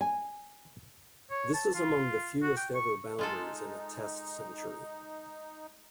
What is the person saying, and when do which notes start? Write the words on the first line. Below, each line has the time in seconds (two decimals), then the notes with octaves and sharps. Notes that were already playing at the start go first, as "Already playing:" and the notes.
This is among the fewest ever boundaries in a Test century.
0.01 G#5
1.31 C#5
1.54 A5
1.74 F4
2.42 F#4
2.57 G5
2.74 C#6
3.19 G#3 D#4 F4 A4